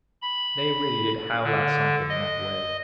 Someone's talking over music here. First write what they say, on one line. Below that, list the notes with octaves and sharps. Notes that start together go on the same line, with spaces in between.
They really did howl out something in that way.
B5
D3
D#5